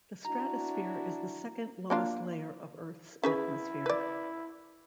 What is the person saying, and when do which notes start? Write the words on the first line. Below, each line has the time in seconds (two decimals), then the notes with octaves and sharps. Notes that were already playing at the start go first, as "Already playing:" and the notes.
The stratosphere is the second-lowest layer of Earth's atmosphere.
0.25 D4 E4 F#4 A#5
1.90 A#3 D4 F4
3.23 C#4 E4 G#4 B4
3.86 B4 D5